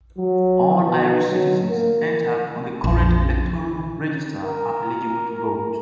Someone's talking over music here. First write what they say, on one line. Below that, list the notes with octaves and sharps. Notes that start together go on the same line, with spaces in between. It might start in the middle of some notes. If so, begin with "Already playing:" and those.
All Irish citizens entered on the current electoral register are eligible to vote.
F#3
B2
F#3
A#3
A#1 F2
A#4